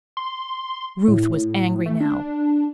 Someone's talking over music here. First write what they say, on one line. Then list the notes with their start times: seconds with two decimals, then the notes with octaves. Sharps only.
Ruth was angry now.
0.17 C6
1.08 A2
1.86 A3
2.00 D4